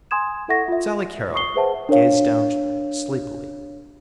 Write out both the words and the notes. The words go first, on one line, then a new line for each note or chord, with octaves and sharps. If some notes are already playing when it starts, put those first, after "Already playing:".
Sally Carrol gazed down sleepily.
G#5 C6 D#6 G#6 E7
E4 A4 E5 F#5 C#6 A#6
F4 E5
C#6 D#6 C7 G7
G#4 B4 C5 E5 F#5 A5
D4 A#4 C#5 F5